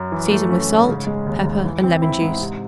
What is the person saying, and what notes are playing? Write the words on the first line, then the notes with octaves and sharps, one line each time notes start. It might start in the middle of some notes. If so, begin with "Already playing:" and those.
Season with salt, pepper and lemon-juice.
Already playing: F#2
E3
A3
C#4
G#2
C#3
G#3
D#2
D#2
E3
C4
E4
G#2
C3